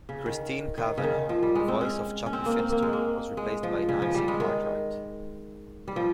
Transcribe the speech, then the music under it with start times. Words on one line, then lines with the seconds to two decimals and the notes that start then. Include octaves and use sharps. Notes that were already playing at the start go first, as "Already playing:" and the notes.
Christine Cavanaugh, the voice of Chuckie Finster, was replaced by Nancy Cartwright.
0.09 C#3
0.26 D#3
0.78 D#3
0.98 C#3
1.04 D#3
1.29 F3
1.42 G3
1.55 G#3
1.68 C4
1.81 C#4
2.26 C#4
2.33 C4
2.46 A#3
2.59 C4
2.72 A#3
2.82 G#3
2.93 A#3
3.37 G#3
3.63 F3
3.89 C#3
4.02 F3
4.14 G3
4.28 G#3
4.40 D#3
5.88 G3
5.96 F3